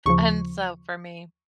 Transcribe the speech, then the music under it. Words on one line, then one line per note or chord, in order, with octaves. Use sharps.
And, so, for me,
D#2 C#3 F3 C#6